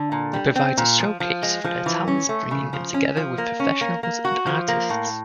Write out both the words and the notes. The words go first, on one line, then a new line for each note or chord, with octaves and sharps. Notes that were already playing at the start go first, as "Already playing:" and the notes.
It provides a showcase for their talents, bringing them together with professionals and artists.
Already playing: D3
A#2
G3
C4
A#2
F3
F3
G#3
F3
E3
C#4
A3
C#3
F3
C#4
F3
A#3
C#4
A#3
A#3
F#4
F3
A#3
A2